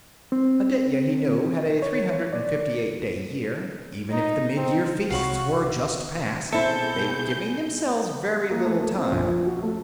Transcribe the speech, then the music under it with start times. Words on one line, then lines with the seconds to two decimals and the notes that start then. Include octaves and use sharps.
Aditya, he knew, had a three hundred and fifty-eight day year; even if the Midyear Feasts were just past, they were giving themselves very little time.
0.32 C4
1.82 C#5
2.33 D5
4.11 D#4
4.56 C4
5.10 C2 C3 F#4 C#5 F5 B5 C#6
6.52 B2 C4 E4 G#4 A4 E5 G6
8.50 A#3
8.65 A3
8.82 A3
8.97 C4
9.12 A#1
9.28 F3
9.46 F#4
9.62 A3